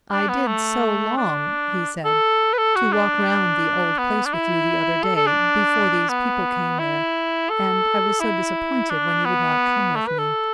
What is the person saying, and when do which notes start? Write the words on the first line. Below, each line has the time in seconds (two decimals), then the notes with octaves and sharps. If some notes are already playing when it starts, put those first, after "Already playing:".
"I did so long," he said, "to walk round the old place with you the other day before these people came there, and I was so disappointed when you would not come with me."
0.12 D4
0.29 B3
0.47 A3
1.18 D4
2.05 A4
2.53 B4
2.58 A4
2.75 F#4
2.92 D4
3.98 B3
4.25 D4
4.33 E4
5.03 A4
5.15 A4
5.27 D4
6.09 B3
6.79 E4
7.50 A4
8.20 E4
8.90 D4
9.25 B3
9.96 A3
10.07 B4
10.19 A4